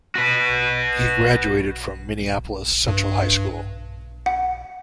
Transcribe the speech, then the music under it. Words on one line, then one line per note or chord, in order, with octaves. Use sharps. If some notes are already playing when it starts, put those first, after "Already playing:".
He graduated from Minneapolis Central High School.
F#4 B4
G2
F#5